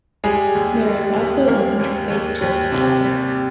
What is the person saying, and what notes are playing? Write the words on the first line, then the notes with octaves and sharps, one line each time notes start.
There is also an interface to Excel.
G3 G#3 G#4
D#2
G3
D#2
D#2 A#3 A#4
D#2
D#2
D#2
C3
G3